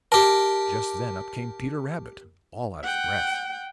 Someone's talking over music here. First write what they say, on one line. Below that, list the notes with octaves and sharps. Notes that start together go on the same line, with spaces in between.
Just then up came Peter Rabbit, all out of breath.
G4 A#4 A5
F#5 G5